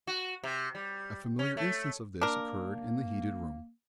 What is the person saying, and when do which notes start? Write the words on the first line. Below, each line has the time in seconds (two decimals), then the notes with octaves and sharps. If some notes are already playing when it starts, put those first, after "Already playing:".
A familiar instance of this occurred in the heated room.
0.07 F#4
0.44 C3
0.75 G3
1.39 C#4
1.57 A3
2.22 A#3 D4 A#4